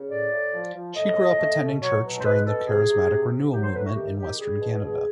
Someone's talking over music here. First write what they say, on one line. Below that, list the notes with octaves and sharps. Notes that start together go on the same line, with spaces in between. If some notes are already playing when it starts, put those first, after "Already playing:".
She grew up attending church during the charismatic renewal movement in Western Canada.
Already playing: C#3
A2 D5
A2
F3
F3
A2 D#5
A2
A3
B2
F#3 C#5
B2
C5
G#3 B4
B2 A4
C3 G#4
C3
C3
C3
F#3 G4
C5
A3 B4
F#4
D#3 G4
D#3 G4
G3 G#4
B2
B2